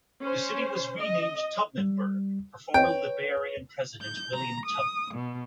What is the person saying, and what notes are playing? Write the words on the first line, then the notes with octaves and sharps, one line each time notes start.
The city was renamed Tubmanburg for former Liberian president William Tubman.
C#4 C5
D#5
G3
B4 C#5 G5
G6
A#5
D#6
B2